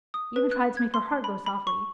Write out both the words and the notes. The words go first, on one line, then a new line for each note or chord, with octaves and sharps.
She even tried to make her heart go softly.
D#6
B4
F#6
G#6
C6
B5
B5
C#6